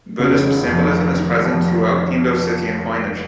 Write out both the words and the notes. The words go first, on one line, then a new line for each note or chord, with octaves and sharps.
Buddhist symbolism is present throughout Indo-Scythian coinage.
F1 C#3
D#3
F1
F2
D#3
D#3
D#3
F1
F2